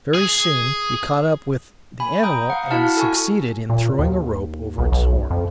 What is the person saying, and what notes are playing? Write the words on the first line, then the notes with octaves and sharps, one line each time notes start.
Very soon we caught up with the animal and succeeded in throwing a rope over its horns.
G#4
G#5 B5
G5 A#5 D#6 G6
F5 F#5
E4 F#4 F5 A5 F6
A4 G#5 C#6
A#2
D#2
B1
B1
F2